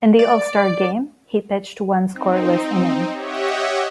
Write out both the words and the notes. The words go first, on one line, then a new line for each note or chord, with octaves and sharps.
In the All-Star game, he pitched one scoreless inning.
D5
C4 D#4
G4 C#5 D#5 E5 F#5